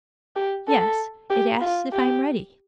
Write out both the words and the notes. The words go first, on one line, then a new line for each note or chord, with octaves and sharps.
"Yes; it asks if I am ready."
G4
A4
G4
F4
G4